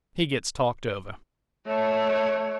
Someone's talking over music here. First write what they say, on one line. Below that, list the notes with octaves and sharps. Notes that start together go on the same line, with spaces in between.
He gets talked over.
A3 C#5